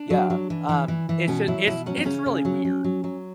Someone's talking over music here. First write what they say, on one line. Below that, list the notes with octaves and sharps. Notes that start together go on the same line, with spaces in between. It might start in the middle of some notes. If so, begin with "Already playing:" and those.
Yeah. Um, it's just, it's it's really weird.
Already playing: D4
F#3
F#3
E3
E3
E3
E3
B2 C#4
F#3 E4
B2 E4
F#3 C#4
B3
C#3 C#4
C#3
F#3
F#3
F#3
F#3